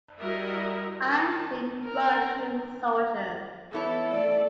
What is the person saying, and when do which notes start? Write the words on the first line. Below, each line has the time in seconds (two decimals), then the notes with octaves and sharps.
I've seen Russian soldiers.
0.20 G3 E4 F#4 A#4 D#5 E5
1.05 D#3 A5
1.84 A#4
3.73 E2 B3 E4 A4 C#5
4.12 A3 D5